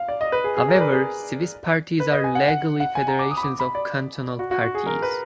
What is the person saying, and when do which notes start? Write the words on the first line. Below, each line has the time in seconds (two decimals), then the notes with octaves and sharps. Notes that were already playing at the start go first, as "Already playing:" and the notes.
However, Swiss parties are legally federations of cantonal parties.
Already playing: F5
0.08 D5
0.21 D#5
0.32 B4
0.44 G#4
0.57 G#4
0.68 A#4
0.76 D5
0.81 B4
0.92 G#4
2.00 B4
2.12 D#5
2.24 G#5
2.35 F#5
2.48 F#5
2.80 F#5
2.95 G#5
3.08 A#5
3.19 D6
3.31 D#6
3.37 B5
3.43 D6
3.60 B5
3.75 D5
4.39 F#4
4.51 F#4
4.63 F#4
4.75 G#4
4.87 A#4
5.02 B4